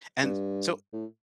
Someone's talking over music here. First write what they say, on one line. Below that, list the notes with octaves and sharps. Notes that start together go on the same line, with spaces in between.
And so
G2
A2